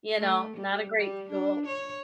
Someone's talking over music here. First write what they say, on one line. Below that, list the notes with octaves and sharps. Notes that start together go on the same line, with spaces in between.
you know, not a great school."
A3
G3
G3
D4
C#5